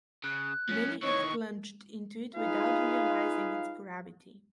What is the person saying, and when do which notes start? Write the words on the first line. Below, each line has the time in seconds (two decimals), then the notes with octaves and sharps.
Many have plunged into it without realizing its gravity.
0.24 C#3 F#6
0.69 F3 C#4
1.03 D#3 E3 C#5 D#5 C#6
2.36 D#4 F4 G#4 B4 F5